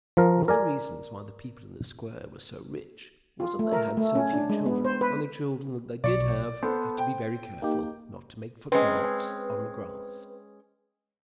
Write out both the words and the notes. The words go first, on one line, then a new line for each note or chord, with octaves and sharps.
One of the reasons why the people in the Square were so rich was that they had so few children; and the children that they did have had to be very careful not to make foot-marks on the grass.
F3 A#4
A#4 D5 G#5
F4
A3
A#4
A3
C#4
D4
G#3
B3
C5
B4
B1 D5 C#6
B3 A4 C5
G5
A#3 D#4 G4
G#3 C4 C#4 B4